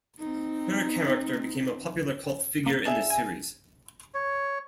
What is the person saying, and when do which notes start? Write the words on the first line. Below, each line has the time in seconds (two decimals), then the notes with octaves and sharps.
Her character became a popular cult figure in the series.
0.19 C4 D#4
2.66 A#3
2.85 D4 G#4 E5
3.10 G#5
4.14 C#5